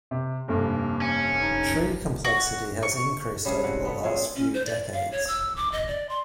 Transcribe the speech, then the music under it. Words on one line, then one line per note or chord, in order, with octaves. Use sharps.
Tree complexity has increased over the last few decades.
C3
F1 G2 A#3
C#4
D#4
F#4
C#6
C#3 G3 D4 G#4
C3 F#4 F#5
A3 B3
A#2 C4 C#4 G#4
C#4
C5
D5
F5
C#5
E6
D6
D#5
D5
C6